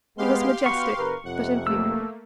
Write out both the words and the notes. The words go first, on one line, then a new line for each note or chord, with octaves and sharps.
He was majestic, but inferior.
G#3 B3 G4 F5 C6
B3 F#4 B4 C#6
F#1 A#4 B4
F2 C3 F#5
A3 A#3 E6